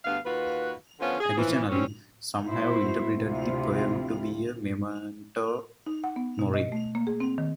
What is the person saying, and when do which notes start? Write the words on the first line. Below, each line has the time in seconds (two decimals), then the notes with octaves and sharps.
Additionally, some have interpreted the poem to be a Memento Mori.
0.05 D2 G2 B3 F5
0.25 D#2 F4 F#4 B4
1.00 D3 F3 B3 C#4 C5 F5
1.20 G#4
1.36 E3 F3
1.69 G3 C4 C#4
2.47 G#3 B3 E4 F#4 C5
3.19 D2 C3 F3 C4 E4 F4
5.86 D#4
6.04 F#5
6.16 B3
6.39 B2
6.54 D#5
6.72 A3
6.95 A#3
7.07 G#4
7.20 C4
7.38 D#3